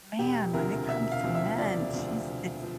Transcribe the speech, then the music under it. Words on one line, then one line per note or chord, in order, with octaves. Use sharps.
man, when it comes to men, she's it's
E1 G4
D2 C3 F3 A#4
E1 E5
F5
D2 C3 F3
E5
E1 D5
D2 C3 F3
E1
F3